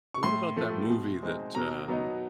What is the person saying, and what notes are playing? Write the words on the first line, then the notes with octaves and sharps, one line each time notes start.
And what about that movie that, um,
C#6
A2 C6
F3 A3
B2
G#3 C4 D#4
B2 A#5
F#3 B3 D#4